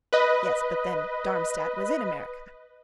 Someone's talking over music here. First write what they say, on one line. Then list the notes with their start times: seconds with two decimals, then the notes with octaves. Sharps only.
Yes, but then, Darmstadt was in America.
0.13 B4 D#5